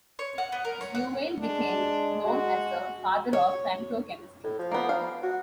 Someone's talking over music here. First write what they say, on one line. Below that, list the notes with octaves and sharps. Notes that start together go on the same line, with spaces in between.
Zewail became known as the "father of femtochemistry".
C#5
F#5
B3
A#4
C#5
F#5
G#3 D4
F#4
C#5
A2
F3
A#3 B3
F5
F#4